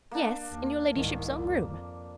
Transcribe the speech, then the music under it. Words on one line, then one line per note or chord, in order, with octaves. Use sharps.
"Yes, in your ladyship's own room."
A#3 D4
D#2
C2 G#2 D#3
F2